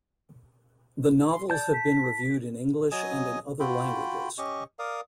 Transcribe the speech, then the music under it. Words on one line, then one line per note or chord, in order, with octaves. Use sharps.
The novels have been reviewed in English and in other languages.
C6
D5 A5 G6
B6
F#3 D#5 G#5 D#6
F4 F#4 G5 B5
C#4 G4 D#5 C#6
A#4 D5 F5 D#6